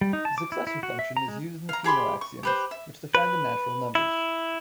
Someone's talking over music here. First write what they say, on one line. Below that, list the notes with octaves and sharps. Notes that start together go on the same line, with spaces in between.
The successor function is used in the Peano axioms which define the natural numbers.
G3
D#4
A5
D6
E4
E4
F#4
E5
A#5
G#3
F5 A#5
G4 G#4 B5 C6
C#6
G4 B4 C5
E5
B4
E4